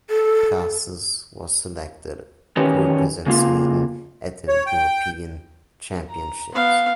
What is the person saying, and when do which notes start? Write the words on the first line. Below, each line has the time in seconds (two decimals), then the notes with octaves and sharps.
Castles was selected to represent Sweden at the European Championships.
0.10 A4
2.57 D#3 E3 C#4 G4 B4 C#5
3.26 C#3 A#3 F4
4.48 C#5
4.67 G5
6.09 A#5
6.53 B3 F5